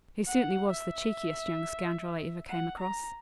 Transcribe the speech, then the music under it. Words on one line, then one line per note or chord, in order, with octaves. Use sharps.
He certainly was the cheekiest young scoundrel I ever came across.
F#5
E5
F#5
A#5